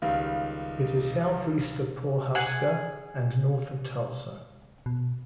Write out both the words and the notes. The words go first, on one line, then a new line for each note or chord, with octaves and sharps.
It is southeast of Pawhuska and north of Tulsa.
C#2 D#3 G3 F5
G#4 F#5 G#5
B2